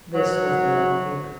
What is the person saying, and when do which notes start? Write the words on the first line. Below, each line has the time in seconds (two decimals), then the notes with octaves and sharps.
This was the Yellow Fever.
0.14 G#2 F#3